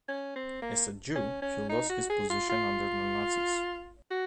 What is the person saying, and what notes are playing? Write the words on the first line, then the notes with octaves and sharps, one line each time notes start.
As a Jew, he lost his position under the Nazis.
C#4
C4
A#3
C#4
C#4
D#4
F#4
G#4
F4
F4
F#4